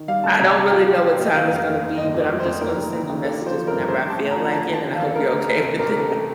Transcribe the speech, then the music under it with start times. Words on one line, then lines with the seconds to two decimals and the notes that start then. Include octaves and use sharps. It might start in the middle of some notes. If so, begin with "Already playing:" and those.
I don't really know what time it's gonna be, but I'm just gonna send you messages whenever I feel like it, and I hope you're okay with that.
Already playing: D#3
0.08 G3 F5
0.24 D2 A5
0.39 C3 A#5
0.55 D2 A5
0.70 F3 G5
0.87 F3
1.03 F3
1.19 A#1
1.25 D#5
1.34 D3 F5
1.51 F1
1.56 F5
1.66 D#2
1.82 D#2
1.97 G1 D#5
2.14 F2
2.19 D5
2.29 A3
2.40 C5
2.46 F2
2.61 D#2 A#4
2.77 F1
2.93 D#2
3.09 D#2
3.25 D4 A4
3.41 F3
3.46 C5
3.56 F3
3.67 G2 A#4
3.88 A1 C5
4.05 A1
4.10 A5
4.20 A2
4.31 A#5
4.36 F3
4.52 D3 A5
4.68 D#2 A5
4.83 D3
4.95 F5
5.00 D3
5.06 A4
5.15 D2 A#4
5.32 D2
5.37 A#4
5.47 D2
5.58 C3 A4
5.79 A1 A#4
5.95 D3
6.00 A4
6.11 A3